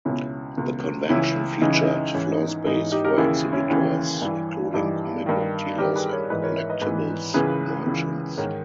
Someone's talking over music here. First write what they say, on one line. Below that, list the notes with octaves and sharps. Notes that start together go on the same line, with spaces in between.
The convention featured floorspace for exhibitors, including comic book dealers and collectibles merchants.
C#2 B2 C#4 E4
C#2 B2
C#2 C#3 E3 C#4 E4
C#2 C#3 E3 D#4
E4
D#4
G#2 E3 C#4
D#4
D#4
G#2 E3 D#4
D#4 G4
G4 A#4
D#2 C#3 E3 E4 G#4
C#4 E4
D#2 C#3 E3 C#4 E4
G2 E3
G2 E3 D#4 G4
G2 D#3
G2 D#3 G4 A#4
G#4 B4
A#4 C#5
G#2 E3 B4 D#5
A#4 C#5
C#5 E5
B4 D#5
G#2 E3 B4 D#5
C#2 C#3 E3 G#4 B4
C#2 C#3 E3
G#2 D#3 A#4 C#5